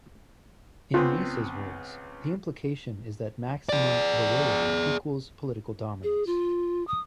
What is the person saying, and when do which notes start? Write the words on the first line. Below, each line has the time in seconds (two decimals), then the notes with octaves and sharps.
In Niessa's words, The implication is that maximum virility equals political dominance.
0.94 C#2 B3 C4 F4
3.69 G#4 D5
6.03 G#4
6.26 F4
6.87 D#6